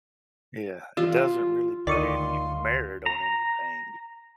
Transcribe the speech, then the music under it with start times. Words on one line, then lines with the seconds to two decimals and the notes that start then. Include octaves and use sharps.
Yeah. It doesn't really put any merit on anything
0.97 E3 F4 G4
1.87 D2 D#3 F4 D5 C6 C#6 D#6
3.06 A#5